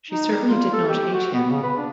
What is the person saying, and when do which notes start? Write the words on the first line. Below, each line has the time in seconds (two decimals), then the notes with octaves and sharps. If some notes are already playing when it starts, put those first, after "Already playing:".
She certainly did not hate him.
0.11 D#4
0.31 G3
0.48 F4
0.73 A4
0.88 G4
1.13 F#4
1.34 B3
1.50 C#3
1.63 B4
1.77 D4